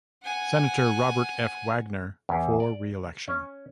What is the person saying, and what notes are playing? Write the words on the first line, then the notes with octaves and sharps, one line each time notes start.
Senator Robert F. Wagner for re-election.
F#5 G#5
E2
D5
C#4